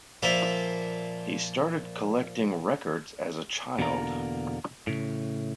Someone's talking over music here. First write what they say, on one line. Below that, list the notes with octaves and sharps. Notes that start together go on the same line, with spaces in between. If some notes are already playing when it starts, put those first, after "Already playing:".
He started collecting records as a child.
A#2 F3 F4 A#4 E5 B5
E2 B2 D3 A#3 A#5
A2 C#3